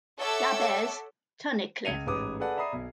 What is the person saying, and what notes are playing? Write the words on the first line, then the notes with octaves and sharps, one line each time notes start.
Jabez Tunnicliff.
A4 C#5 E5 F#5 D6 E6
C#2 G#6 C#7 D#7 F7
A1 G#2 B4 D6 D#6
G#4 A4 B4 D5 F#5
D5 E5 A#5 B5 D#6 C7
B1